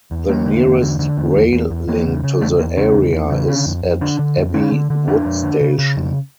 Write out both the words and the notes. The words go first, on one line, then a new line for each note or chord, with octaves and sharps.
The nearest rail link to the area is at Abbey Wood station.
E2
E2 A#3
D3
E2
D3
D3
E2
E2
E2
E2
E2 A#3
C#3
C#3
E2 A3
E2 A#3
C#3 C#4
E2
E2
C#3
D3 C#4
F2
F2
D3 D4
D3
F2
D3 C#4
D3
D3
F2 D4
F2
D3
C#3
C#3
F2